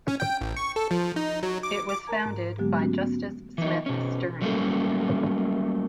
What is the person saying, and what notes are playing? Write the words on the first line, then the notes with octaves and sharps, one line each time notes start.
It was founded by Justus Smith Stearns.
C#4
G5
A1
C#6
A4
F3
D#4
F#3
D6
D6
A#4 A5 A#5 G#6
G#2
D3 F#3 G#3 A#3 B3 G4
A3 B3 C#4 F#4
B3
E3 D#4
B2 C#4
F#3 G3 A3 A#3 C#4 A4